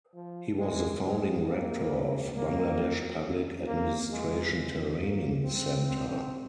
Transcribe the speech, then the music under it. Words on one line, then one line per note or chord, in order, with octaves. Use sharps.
He was the founding Rector of Bangladesh Public Administration Training Centre.
F3
G#3
G#3
A#3
A#3
A#3
G#3
A#3
C4
C4